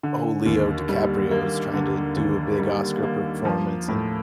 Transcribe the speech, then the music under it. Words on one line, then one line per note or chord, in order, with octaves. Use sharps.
"Oh, Leo DiCaprio is trying to do a big Oscar performance," and,
D3
D#2
G3
A#3
D3
D#2
G3
A#3
F3
A2